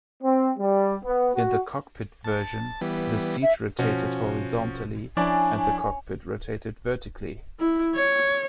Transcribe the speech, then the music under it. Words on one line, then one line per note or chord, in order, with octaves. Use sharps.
In the cockpit version, the seat rotated horizontally, and the cockpit rotated vertically.
C4
G3
B3
F#4
A5
E3 G3 B3
E5
B2 F3 C#4 F#4
F3 C#4 D4 E4 D5 G#5
E4
C#5